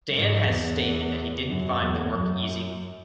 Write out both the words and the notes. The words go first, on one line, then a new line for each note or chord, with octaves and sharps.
Dan has stated that he didn't find the work easy.
G#2
E2
F#2
E2
F#2